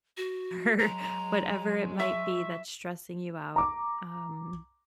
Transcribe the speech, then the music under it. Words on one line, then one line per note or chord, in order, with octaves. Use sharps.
or whatever it might be that's stressing you out." Um
F#4
F#3 G#3 A#5
E5 C#6
A#5 D6